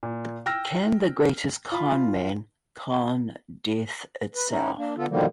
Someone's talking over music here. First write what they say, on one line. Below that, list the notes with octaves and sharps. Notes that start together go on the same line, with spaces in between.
Can the greatest conman con death itself?
A#2
G5 E6 F6 A#6
F4 B5
B4
C#4 D#4 E4
A#3 D4
D3 B3 F4 A4
B2 D3 D#3 F3 G3 A#3